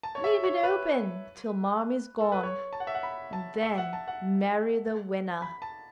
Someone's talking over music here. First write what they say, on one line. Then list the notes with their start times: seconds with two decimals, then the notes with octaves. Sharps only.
Leave it open till Marmy's gone, and then marry the winnah?'
0.03 A5
0.15 C#5
0.24 E5
0.44 C#5
0.63 B4
2.21 A4
2.32 B4
2.43 C#5
2.73 A5
2.80 F#5
2.87 E5
2.95 F#5
3.03 B5
3.33 A5
3.62 E5
3.78 F#5
3.93 A5
4.08 F#5
5.42 B5
5.62 A5